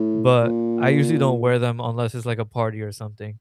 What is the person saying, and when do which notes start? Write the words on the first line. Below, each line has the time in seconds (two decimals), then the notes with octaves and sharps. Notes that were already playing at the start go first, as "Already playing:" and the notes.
but I usually don't wear them unless it's, like, a party or something.
Already playing: A2
0.43 A#2